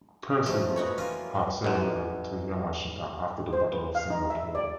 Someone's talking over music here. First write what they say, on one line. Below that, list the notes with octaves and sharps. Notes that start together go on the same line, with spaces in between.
Percival had surrendered to Yamashita after the Battle of Singapore.
B1 F2 F3 A3
E3 G3 D#4 E4 F#4 C#5
A#3 C#4 F4
A1 F#2
C5
B4
F5
D#4
E5
D5